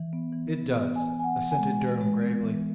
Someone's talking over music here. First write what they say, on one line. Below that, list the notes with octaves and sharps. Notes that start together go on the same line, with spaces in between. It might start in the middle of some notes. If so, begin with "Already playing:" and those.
"It does," assented Durham gravely.
Already playing: E3
B3
E3
B3
B3
E3 G#5
E3 G#5
F#5
E3
G#5
G#3
E3
G#3
B3
E3